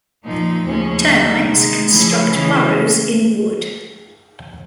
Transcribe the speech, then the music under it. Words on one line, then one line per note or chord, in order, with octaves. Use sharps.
Termites construct burrows in wood.
A#2 F3 A#3 D#4
D#2 C#3 F3 A3 C#4
D3 G3 A#3 D#4
C3 D#3 G#3
C#3 F3 A3 C#4 E4
C#3 E3 G#3